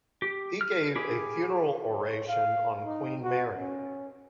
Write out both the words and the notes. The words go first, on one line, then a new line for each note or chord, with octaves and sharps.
He gave a funeral oration on Queen Mary.
G4
F6
E4 G4 G#4
C#5
F5
D#4
F#4
C#4